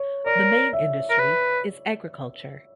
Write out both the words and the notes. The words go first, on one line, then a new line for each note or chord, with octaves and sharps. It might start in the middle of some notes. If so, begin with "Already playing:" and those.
The main industry is agriculture.
Already playing: C#5
A#4 D5
E5
A#4
B4